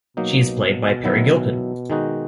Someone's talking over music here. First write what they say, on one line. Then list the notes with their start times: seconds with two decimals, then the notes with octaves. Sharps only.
She is played by Peri Gilpin.
0.17 B2 F#3 A#3 D#4
1.04 D#3 F#3 B3 E4
1.90 D#3 G#3 D#4 F#4